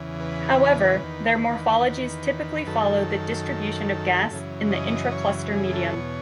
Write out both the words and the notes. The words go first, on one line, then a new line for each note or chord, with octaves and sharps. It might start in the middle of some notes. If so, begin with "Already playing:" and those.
However, their morphologies typically follow the distribution of gas in the intra-cluster medium.
Already playing: E2 C#3 E3
B4
E2 D#3
F#2 D#3 A4
F#2 C#3 E3
D#5
C#5
G#4
A4
E2 B2 C#5